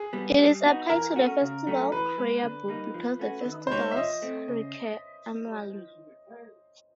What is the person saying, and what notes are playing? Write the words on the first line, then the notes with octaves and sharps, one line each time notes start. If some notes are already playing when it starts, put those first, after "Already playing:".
It is applied to the festival prayer book because the festivals recur annually.
Already playing: G#4
G3 B3
G3
B3 D#4 F#4
E3 A#4
A3 C#4 F#4
C#3
F#3 A3 C#4
E3 B4
G#3 B3
D3
G3 A#3 D#4
F3
A3 C#4 F#4
D#3
C5
G#3 B3 D#4 G4 C#5
E5
F3 D#5
A3 C4
C#3